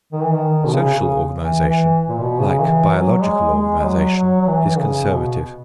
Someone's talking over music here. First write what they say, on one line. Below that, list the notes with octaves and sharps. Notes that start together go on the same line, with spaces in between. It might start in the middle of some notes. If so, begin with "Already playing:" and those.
Social organization, like biological organization, is conservative.
D#3
E3
D#3
B2
C#3
C#3
E3
E3
A#2
B2
C#3
E3
F#3
G#3
G#3
G#3
F#3
F#3
F#3
E3
C#3
B2